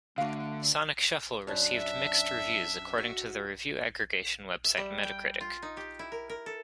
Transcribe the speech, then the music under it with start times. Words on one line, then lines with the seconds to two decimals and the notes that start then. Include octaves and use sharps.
"Sonic Shuffle" received "mixed" reviews according to the review aggregation website Metacritic.
0.18 D3 A3 F#4 F5
1.47 F#2 D4
1.78 E5
2.98 F#4
4.64 E5
4.77 G3
5.03 G5
5.41 F4
5.62 D#4
5.77 G4
5.99 E4
6.12 A#4
6.29 A#4
6.46 A4